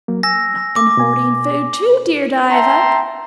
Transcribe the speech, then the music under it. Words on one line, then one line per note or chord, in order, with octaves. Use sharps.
Not been hoarding food, too, dear Diva?
F#3 A#3
G#5 E6 A#6
D6
B2 G#5
E5 G5 A5 A#5 C6